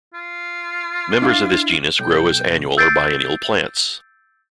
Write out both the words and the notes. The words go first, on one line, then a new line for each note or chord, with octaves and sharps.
Members of this genus grow as annual or biennial plants.
F4
D4 E4 F5
B1 G5
E6 G6 A6 C7 D7